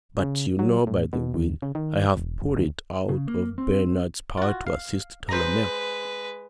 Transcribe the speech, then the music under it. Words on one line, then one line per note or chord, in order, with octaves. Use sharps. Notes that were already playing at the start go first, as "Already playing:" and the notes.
But you know, by the will, I have put it out of Bernard's power to assist Tolomeo.
C#3
F#3
A2
B2
D#2
C#3
D#3
E1
F#1
D2
C#3
A#3
C4
F4 F#4
F5
G#3 B4 C5 A#5